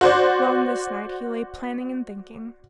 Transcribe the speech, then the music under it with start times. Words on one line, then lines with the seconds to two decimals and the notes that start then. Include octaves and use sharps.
Long this night he lay planning and thinking.
0.01 F#4 C5 D5